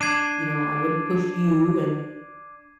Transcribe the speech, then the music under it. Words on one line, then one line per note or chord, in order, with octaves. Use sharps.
you know, "I wouldn't push you and
D4 G#6 C7 D#7